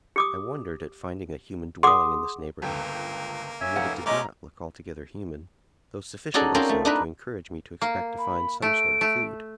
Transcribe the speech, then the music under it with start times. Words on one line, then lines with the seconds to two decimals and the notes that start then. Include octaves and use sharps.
I wondered at finding a human dwelling in this neighbourhood; and yet it did not look altogether human, though sufficiently so to encourage me to expect to find some sort of food.
0.16 G4 D6 D#6
1.83 G#4 F#5 C6 D6 D#6
2.62 G1 C#2 A#3 G5
3.61 C#4 E5 G#5
3.76 F1 D#4 F5 F#5
4.06 F3 G#3 A3 C#4 D#5 A#5 D6
6.34 C#4 D#4 F#4 G#4 A4 D5
6.54 C4 C#4 F4 G#4 A#4 C5
6.69 A3
6.85 D4 D#4 A#4 B4
7.81 A#3
8.19 B5
8.62 A3 D7
9.01 A3